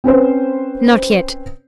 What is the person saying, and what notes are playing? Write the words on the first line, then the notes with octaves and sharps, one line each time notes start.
"Not yet."
C4 C#4 B4 C5